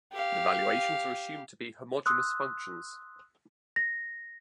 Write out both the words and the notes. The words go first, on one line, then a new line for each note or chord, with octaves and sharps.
The valuations are assumed to be homogeneous functions.
G4 F5
C6 D#6 E6 F#6
A#6